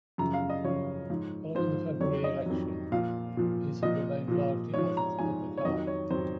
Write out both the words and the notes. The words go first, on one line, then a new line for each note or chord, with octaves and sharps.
Following the February election Heath had remained largely out of the public eye.
F#2 C#3 F3 A#5
F5
D#5
F#2 C#3 F3 C#5
G#2 F3
G#2 F3 C5
F2 D#3 F#3 C#5
D#5
F2 D#3 F#3
A#2 F3 F5
A#2 F3
A#2 F3 D#5
A#2 F3
G#2 F3 C#5
A#5
G#2 F3 G#5
C#5
F2 D#3 F#3 D#5
C#5
F2 D#3 F#3 C5